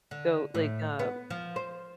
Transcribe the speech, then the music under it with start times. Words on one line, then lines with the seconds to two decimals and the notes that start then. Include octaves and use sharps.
So, like, uh,
0.11 D3
0.55 A2
0.99 B3
1.30 F3
1.56 C5